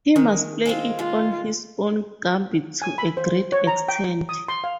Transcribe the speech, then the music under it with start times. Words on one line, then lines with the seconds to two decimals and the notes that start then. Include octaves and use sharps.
He must play it on his own gambit to a great extent.
0.16 D#3 G#3
0.66 G#3 C4 F4
0.99 G#3 F4
2.82 G#5
2.98 B5
3.17 C5
3.52 C#5
3.67 A#5
3.89 G5
4.29 D#6
4.48 C6
4.64 F5